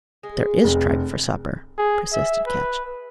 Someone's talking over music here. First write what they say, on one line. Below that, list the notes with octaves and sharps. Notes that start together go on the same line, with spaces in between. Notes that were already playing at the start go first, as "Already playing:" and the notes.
"There is tripe for supper," persisted Ketch.
G#3 G#4
F1
G#4
E5
B4